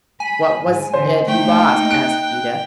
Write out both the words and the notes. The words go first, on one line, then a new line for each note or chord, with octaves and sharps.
"What was it he lost?" asked Edith.
G#5 B5
G#2
D3 E3 C5
A3 A#3 D#4 G5
F#6 D7